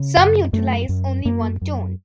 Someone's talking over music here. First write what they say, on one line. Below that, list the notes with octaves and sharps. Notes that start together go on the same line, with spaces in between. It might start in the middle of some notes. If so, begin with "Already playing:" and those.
Some utilise only one tone.
Already playing: C#3
F#2
F#2 A3
F#2
F#2 A#3
F#2